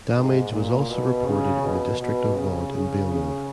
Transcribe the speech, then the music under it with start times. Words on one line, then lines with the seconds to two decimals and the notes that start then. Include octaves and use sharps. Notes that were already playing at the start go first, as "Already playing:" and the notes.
Damage was also reported in the district of Vaud in Villeneuve.
0.15 G#2
0.52 A#2
0.89 B2
1.25 C#3
1.63 B2
1.99 B2
2.36 C#3
2.72 C#3
3.09 C#3